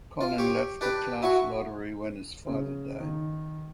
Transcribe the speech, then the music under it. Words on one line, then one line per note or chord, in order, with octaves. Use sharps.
Collin left the Class Lottery when his father died.
F4
G4 C#5
D4 G4 B4
E4 F#4 G#5 C#6
C#3
D#3